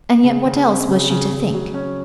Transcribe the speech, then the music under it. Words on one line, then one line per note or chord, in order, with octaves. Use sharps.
And yet what else was she to think?
C#3
C#3
C4
C#3
C#3
C#3
F#3
C#4